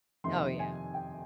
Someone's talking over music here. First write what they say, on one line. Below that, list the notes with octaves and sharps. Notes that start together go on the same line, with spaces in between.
Oh, yeah.
F2 C3 D#3 A#3 C6
G#5
G5